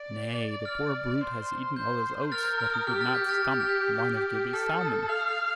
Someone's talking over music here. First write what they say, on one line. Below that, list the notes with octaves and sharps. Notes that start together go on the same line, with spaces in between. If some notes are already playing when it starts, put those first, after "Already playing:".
Nay, the poor brute has eaten all his oats, but he could not stomach--one of Gibbey's salmon.
Already playing: D5
F6
C5
C5 G6
A#4 F6 A6
G6
F6
D#6
G4 F6
F6 A6
G6
F6 A6
A6
G6
F6
G6
A4 F6
D#6
F5 F6
D#6
F6